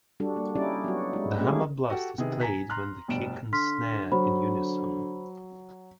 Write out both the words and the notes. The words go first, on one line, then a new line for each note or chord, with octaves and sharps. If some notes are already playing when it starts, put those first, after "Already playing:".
The hammer blast is played with the kick and snare in unison.
G3 D4 F#4 A4
A#3
G3 C#4 D#4 E4 G4 D5
F#3 B3 F#4
G#3 E4
A3 A#3 C#4 G4 G#4
F#4 G4 A4 F#5
C3 D#3 B3 G#4
G#5 A#5 B6
A#5 C6 F6 F#6
F1 G2 B2 D7 E7
D3 C6 F6 B6
F#3 C5 B5